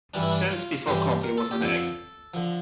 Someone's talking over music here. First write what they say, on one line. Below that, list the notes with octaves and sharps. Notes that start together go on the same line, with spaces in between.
Since before cocky was an egg.
G2 E3 G3 D4
E4
D4
F4
G2 E3 G3 G4
A#4
A4
G4
F2 D3 F3 A4
D3 F3